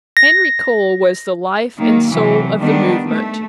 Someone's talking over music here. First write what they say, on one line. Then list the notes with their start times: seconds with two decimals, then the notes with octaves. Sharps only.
Henry Cole was the life and soul of the movement.
0.17 A#6
1.78 D#3 F#3 A#3
2.10 C3 E3 F#3
2.58 D#3 G3 B3 D4
3.05 A3